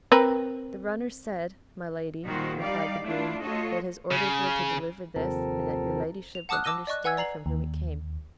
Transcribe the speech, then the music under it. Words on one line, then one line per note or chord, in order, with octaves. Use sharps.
"The runner said, my lady," replied the groom, "that his orders were to deliver this, and that your ladyship would understand from whom it came."
C4 A#4 B4
A#2 D#3 G3 F#4 C5
G3 D#4 G4 D5 F5
A3 D4 E4 F4
A3 F4 F#4 A4 C#5 D#5
C#3
D#2 C3 F3 C4 A4 A#4
F7
F#5 A5 D6 D#6 F6 F#6
A5 D6 E6 A#6 D#7 G7
D5 D#5 C#6 F#6
B4 F#5 G#5 E6 G#6
D5 A#5 C7 F#7
D#2